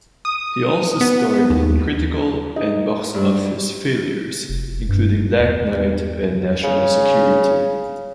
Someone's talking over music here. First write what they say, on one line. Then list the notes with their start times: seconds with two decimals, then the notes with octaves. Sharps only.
He also starred in critical- and box-office failures, including "Black Knight" and "National Security".
0.25 D#6
1.01 B3
1.50 D#2
2.56 D#4
3.15 G2
4.49 F1
4.89 G2
5.40 E2
6.64 C#3